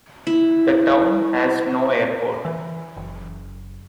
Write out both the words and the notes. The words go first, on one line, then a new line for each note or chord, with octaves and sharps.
The town has no airport.
E4
E3
F#1